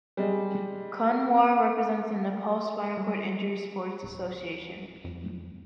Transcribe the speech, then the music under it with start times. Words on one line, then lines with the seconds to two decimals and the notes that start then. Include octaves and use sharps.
Kunwar represents the Nepal Spinal Cord Injury Sports Association.
0.17 G3 G#3
2.97 G3
4.03 D1
5.04 F2